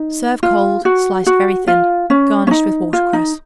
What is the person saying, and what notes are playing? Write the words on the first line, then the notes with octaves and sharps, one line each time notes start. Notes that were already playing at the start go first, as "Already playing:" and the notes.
Serve cold, sliced very thin, garnished with watercress.
Already playing: D#4
F4
F#4
F#4
F4
C#4
C#4
D#4
F4
D#4